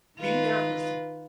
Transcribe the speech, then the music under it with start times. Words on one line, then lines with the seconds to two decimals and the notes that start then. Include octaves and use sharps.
Be there for so
0.18 D#3 F4 B4